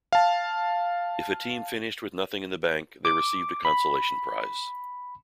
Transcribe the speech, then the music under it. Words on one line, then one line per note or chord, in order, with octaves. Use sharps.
If a team finished with nothing in the bank, they received a consolation prize.
F5 A5
D6
B5